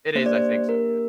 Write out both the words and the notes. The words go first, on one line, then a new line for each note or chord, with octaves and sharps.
It is, I think so, yeah.
A#3 D4 G4 C5
D5
C5
A#4